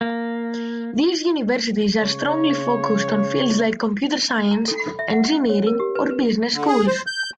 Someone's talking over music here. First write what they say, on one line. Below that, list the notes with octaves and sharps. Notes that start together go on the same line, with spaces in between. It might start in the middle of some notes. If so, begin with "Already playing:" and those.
These universities are strongly focused on fields like computer science, engineering or business schools.
A#3
C#3 C#5
A#5
A4
B5
E5
F#5
C#4
C#5
A#4
G4
B4
B4
D3
G#4
C5
G6